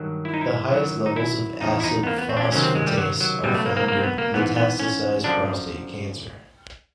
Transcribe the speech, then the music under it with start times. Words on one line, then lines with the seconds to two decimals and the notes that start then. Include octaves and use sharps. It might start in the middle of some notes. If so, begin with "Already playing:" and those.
The highest levels of acid phosphatase are found in metastasized prostate cancer.
Already playing: G2 D#3 F#3
0.25 E4
0.34 D#4
0.41 E4
0.71 F#2 D#3 F#3
1.06 D#4
1.16 E4
1.61 E2 C#3 F3 D#4
1.80 E4
1.84 D#4
2.03 B3
2.07 A#3
2.18 B3
2.29 C4
2.37 D4
2.41 C#4
2.52 C#2 C3 D#3 F#3 C#4
2.63 C4
2.75 G#3
2.87 G3
2.97 F#3
3.20 F#3
3.44 C#2 B2 F#3 G3
3.55 A3
3.66 A#3
3.77 A#3
3.88 A#3
3.97 C4
4.03 B3
4.18 A#3
4.34 G#2 E3 B3
4.56 B3
4.79 C#4
5.24 F#2 D3 F3 D4